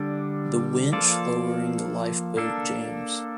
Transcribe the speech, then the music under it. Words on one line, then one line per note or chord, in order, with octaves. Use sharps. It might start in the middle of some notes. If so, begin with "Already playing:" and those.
The winch lowering the lifeboat jams.
Already playing: D3 G3 D4
F3 A#3 F4 A4 D5
A#3 D4 A4